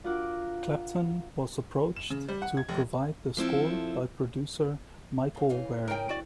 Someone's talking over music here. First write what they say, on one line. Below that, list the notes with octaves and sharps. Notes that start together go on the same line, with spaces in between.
Clapton was approached to provide the score by producer Michael Wearing.
D4 F4 F#4 A#4 F#5 D6
E7
C#3
G3
F#5
G#6
F1
F3 C4 E4 A4
D#2 C3
C#3 E3 F5
A2 C#3 G#4 A#4 G5
C3 F#4 D5